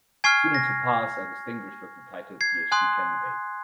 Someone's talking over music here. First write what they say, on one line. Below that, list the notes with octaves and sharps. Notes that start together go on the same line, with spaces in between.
Students who pass are distinguished with the title PhD candidate.
G#5 C#6 F6 G#6 C7
A#6
G#6 C7
G#5 C6 D#6 F#6